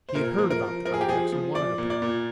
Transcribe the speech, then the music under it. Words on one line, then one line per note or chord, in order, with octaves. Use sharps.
He had heard about the ibex and wanted a pair.
C5
A#2 A#4
F3
A#4
F3
F3 A#4
G#4
G4
F3 G#4
F3
F3 D5
A#2
D5
A#2